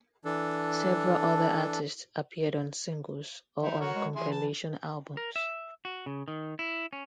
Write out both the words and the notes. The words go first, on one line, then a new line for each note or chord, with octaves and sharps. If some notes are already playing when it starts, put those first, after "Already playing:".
Several other artists appeared on singles, or on compilation albums.
E3 D4 A4
E3 D#4 E4
D3 F#4 A#4 C#5
G#3
E3 E4 G#4 C6
A5
A#4
E5
F#4
C#3
D#3
E4
C#4